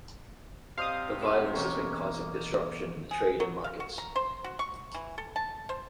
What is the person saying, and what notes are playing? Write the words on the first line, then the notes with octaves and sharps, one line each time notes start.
The violence has been causing disruption in the trade and markets.
C3 C5 D5 D#5 F5 D#6
E4 B4
E2 G2 B2 A#3 C#4 C#6
G#4
F#3
F5
F#4
A#5
C5
F#4
C#6
E3
A4
A5
C5